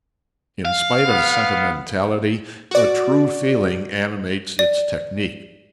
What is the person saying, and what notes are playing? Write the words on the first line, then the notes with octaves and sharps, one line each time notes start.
In spite of sentimentality, a true feeling animates its technique.
F5
B3
F#4 D5
D5